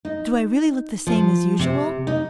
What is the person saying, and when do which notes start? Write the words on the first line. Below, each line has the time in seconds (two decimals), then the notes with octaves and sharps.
Do I really look the same as usual?
0.05 D#4
1.07 F3
1.59 C3
2.07 D#4